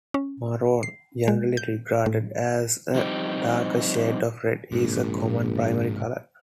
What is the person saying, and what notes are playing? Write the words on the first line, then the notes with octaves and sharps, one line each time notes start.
Maroon, generally regarded as a darker shade of red, is a common primary color.
C#4
C7
G#3
G6
A2
F3 G3 C4 D#4 G4
A#1 G#2 C3